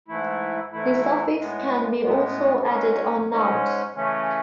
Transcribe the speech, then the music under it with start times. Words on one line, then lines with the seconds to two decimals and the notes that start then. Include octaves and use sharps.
This suffix can be also added on nouns.
0.08 G#2 E3 A3 E4
0.72 G#2 E3 A3 E4
1.37 A2 G#3 B3
2.03 A2 G#3 B3
2.66 G#2 G#3 C#4
3.31 G#2 G#3 C#4
3.95 C#3 E3 A3 C#4